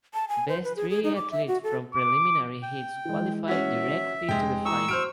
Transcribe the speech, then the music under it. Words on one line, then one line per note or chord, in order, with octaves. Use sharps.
Best three athletes from preliminary heats qualify directly to the final.
A5
G#5
C5
B4
G#4
G#4
D#4
D6
E5
F#4
A4
D6
G5
E3 G#3
C#4 F#4 E5
F1 G#3 G5
E3 A#5 C#6 D#6 E6
F#4 C5 F6 D7